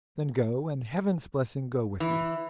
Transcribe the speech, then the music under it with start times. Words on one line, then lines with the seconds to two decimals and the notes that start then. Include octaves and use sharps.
Then go, and Heaven's blessing go with you.'
2.00 E3